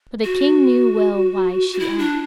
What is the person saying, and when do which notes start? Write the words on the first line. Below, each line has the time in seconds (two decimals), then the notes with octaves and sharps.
But the King knew well why she asked.
0.24 F#4
1.73 F#4
1.80 E4
1.99 D4